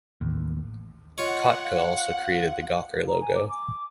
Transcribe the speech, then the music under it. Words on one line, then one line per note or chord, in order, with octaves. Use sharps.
Kottke also created the Gawker logo.
A1 D#2
F4 C#5 D#5 F#5
F5
A#5
G#5
D6
D6